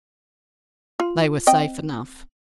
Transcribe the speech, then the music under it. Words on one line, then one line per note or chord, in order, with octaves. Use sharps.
They were safe enough.
F4
C4 D#5 G5